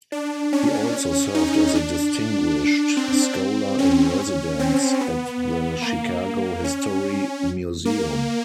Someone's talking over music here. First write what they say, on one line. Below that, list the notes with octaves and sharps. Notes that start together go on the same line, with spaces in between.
He also served as a distinguished scholar-in-residence at the Chicago History Museum.
D4
C#4
D#4
D4
C4
C#4
C4
B3
A#3
C#4
A#3